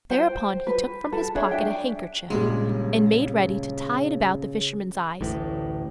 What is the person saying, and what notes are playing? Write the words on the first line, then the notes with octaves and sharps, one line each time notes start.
Thereupon he took from his pocket a handkerchief, and made ready to tie it about the fisherman's eyes.
C5 G5
B4
A4
D4 G#4 C#5 E5
D4 E5 G5
A#1 C#3 G3 G#3
A1 D2 A2